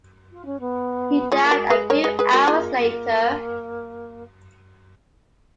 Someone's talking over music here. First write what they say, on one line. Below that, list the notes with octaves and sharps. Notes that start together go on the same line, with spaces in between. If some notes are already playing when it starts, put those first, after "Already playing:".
He died a few hours later.
F4
C#4
B3
G#3 F4 G#4
A#3
G#3 F#4 A#4
G#4 B4
A#4 C#5
G#4 B4
G#4 B4
F#4 A#4
A#3 F4 G#4
A#3